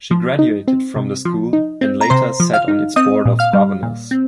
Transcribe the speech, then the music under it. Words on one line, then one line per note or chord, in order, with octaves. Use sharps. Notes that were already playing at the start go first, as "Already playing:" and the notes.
She graduated from the school and later sat on its Board of Governors.
F3
D#4
C4
C3
F3
D#4
C4
A#5
C3 C5 C6
F3
F5 F6
D#4
C4 D#5 D#6
A#2
F5 F6
G3
A#2
C4